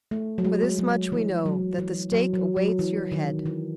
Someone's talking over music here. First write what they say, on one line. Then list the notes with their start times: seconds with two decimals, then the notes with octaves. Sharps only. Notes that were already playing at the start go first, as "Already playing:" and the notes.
For this much we know, that the stake awaits your head.
0.11 A3
0.38 F#3
0.44 G#3
0.79 F#3
1.12 E3
1.46 F#3
1.79 E3
2.12 F#3
2.34 F#3
2.57 F#3
2.79 E3
3.12 D#3
3.46 E3